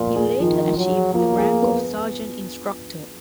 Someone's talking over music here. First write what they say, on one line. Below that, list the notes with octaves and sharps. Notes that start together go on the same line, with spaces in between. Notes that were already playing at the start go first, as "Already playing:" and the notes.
He later achieved the rank of Sergeant Instructor.
Already playing: A#2 F3 F4
G#4
D#3 F3
F3
F#3
G#4
F3 A#3
G#4
B3